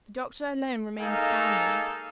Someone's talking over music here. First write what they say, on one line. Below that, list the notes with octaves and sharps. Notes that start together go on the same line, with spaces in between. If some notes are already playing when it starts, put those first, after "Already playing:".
The doctor alone remained standing.
G#3 A#3 D#4 A4 F5 G#5